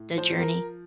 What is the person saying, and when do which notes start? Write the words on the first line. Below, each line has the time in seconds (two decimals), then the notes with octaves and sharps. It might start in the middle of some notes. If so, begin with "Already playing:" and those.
the journey.
Already playing: A2
0.18 F3 C5
0.40 A#4